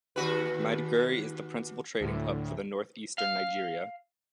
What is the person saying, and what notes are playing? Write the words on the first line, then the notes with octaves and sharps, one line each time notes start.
Maiduguri is the principal trading hub for north-eastern Nigeria.
D#2 F#4 B4
D2 A2
F5